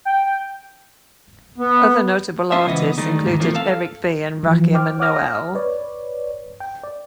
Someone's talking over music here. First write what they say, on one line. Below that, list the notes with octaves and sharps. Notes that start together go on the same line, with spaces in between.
Other notable artists included Eric B and Rakim and Noel.
G5
B3
C#4 F4 C5 E5
C#2 E3 B3 D#5
D#3 G3 A3
E2 G#2 D#3
E3 F3 A3 A#3 C4
A4 F5
E3 F3
C5 G5 D6 F6
C#5 F#5 D6 D#6 F6 A#6
B4 C#5 D5
G5
D5